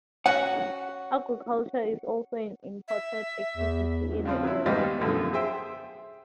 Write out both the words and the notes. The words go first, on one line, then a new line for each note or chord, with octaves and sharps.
Agriculture is also an important activity in the area.
C#4 F#4 F#5
E5
E2
C#3 F3 C4
F#3 E4
E2 G#2 D#3 G3 D#5 F5
B1 F#2 D3 F3 A3
G#4 C5 E5 G5